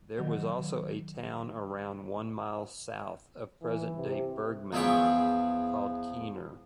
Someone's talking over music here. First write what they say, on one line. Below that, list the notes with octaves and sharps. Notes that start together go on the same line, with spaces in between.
There was also a town around one mile south of present-day Bergman called Keener.
D#3 F#3
E3
C3
E2 F3 G#4 E5 G5 C#6